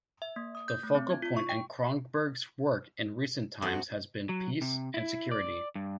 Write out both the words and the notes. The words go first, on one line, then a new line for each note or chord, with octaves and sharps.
The focal point in Cronberg's work in recent times has been peace and security.
E5
A#3
D#6
G6
A3
C4
G#6
F4
C#6
G5
F2 A3 F#4
F#3
C3
E4
D5
G2